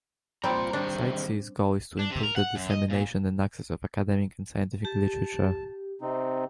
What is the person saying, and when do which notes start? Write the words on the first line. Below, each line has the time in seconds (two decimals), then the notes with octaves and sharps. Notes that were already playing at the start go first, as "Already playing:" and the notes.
CiteSeer's goal is to improve the dissemination and access of academic and scientific literature.
0.44 G3 C4 F4 A#5
0.73 D#3 G3 C4 D4
1.99 D4
2.11 C3
2.23 A#4
2.36 F#5
2.55 F#2
2.70 D#5
2.90 A#2
4.85 G4 A5
6.02 C3 C4 D#4